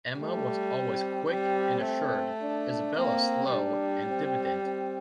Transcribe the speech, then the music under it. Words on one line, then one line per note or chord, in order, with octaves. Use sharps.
Emma was always quick and assured; Isabella slow and diffident.
G3 A3
C4
G3 C4
A3
D4
A#3 C4
G3 D4
C4
C4